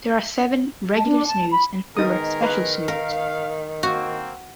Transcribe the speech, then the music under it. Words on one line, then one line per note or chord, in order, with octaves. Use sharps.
There are seven regular Snoods and four Special Snoods.
A5
D4
A5
B5
D#3 B3 D#4 G#4 A#4 D#6
B4
A#4 F5
A#3 C4 F#4